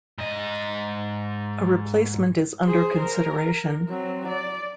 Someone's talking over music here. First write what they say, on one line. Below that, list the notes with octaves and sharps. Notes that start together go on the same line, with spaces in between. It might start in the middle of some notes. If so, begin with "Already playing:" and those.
A replacement is under consideration.
G#2 D#5
G#4 C5
A#4
F#3 C4
D5